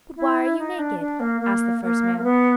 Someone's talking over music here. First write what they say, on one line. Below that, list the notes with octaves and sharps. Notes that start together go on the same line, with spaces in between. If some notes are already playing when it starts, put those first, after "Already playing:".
'But why are you naked?' asked the first man.
E4
D#4
D4
D4
A#3
A#3
A#3
A#3
B3